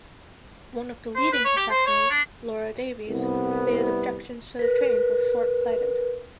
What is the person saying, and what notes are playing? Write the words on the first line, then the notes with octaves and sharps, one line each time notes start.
One of the leading professionals, Laura Davies, stated objections to the change were shortsighted.
C5
B4
C#5
G4
C5
C#5
D4
C2 B3
A#4 B4